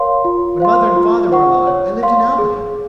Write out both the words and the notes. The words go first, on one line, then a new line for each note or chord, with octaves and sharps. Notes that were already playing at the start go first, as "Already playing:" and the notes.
When mother and father were alive I lived in Albany.
Already playing: A#4 C#5 F5 C6
F4
C5 F5 C6
F4
C5 F#5 C#6
C#5
F5 C6
G#4